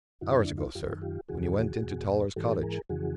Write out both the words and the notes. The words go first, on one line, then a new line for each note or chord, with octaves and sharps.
"Hours ago, sir--when you went into Toller's cottage."
F#2 D3 E4 F#4
D4 E4
D#4 F4
F#2 D#3 F4 G4
F4 G4
D#2 C#3 E3 F#4 G#4
E2 B2
G#2 E3 G4 A4
G#4 A#4
F2 C#3 E3 F#4 G#4